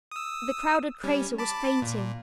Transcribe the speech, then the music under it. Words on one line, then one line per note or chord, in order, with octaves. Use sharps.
The crowded crater was fainting.
D#6 E6
G3 C#4
A5 B5 D6
A#2